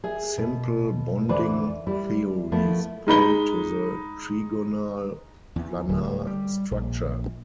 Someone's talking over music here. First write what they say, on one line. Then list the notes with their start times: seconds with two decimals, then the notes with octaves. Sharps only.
Simple bonding theories point to the trigonal planar structure.
0.04 G#4 E5
0.38 B2
1.28 E2 D3 E3 B4 C5 D5
1.87 G3 E4
2.52 F3 A3 B3 E4
3.07 G#3 D#4 B5 G7
5.56 E2
5.89 D1
6.27 G3
6.71 A#1